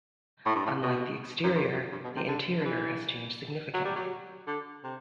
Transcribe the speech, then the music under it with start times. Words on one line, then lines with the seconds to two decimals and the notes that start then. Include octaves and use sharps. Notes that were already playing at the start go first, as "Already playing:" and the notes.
Unlike the exterior, the interior has changed significantly.
0.46 A2
0.55 G2
0.66 A2
0.82 B2
1.43 F#2
1.55 G2
1.74 F#2
1.91 G2
2.04 B2
2.16 C3
2.28 D3
2.60 D3
2.65 E3
3.74 F#3
3.85 G3
3.96 F#3
4.47 D3
4.84 C3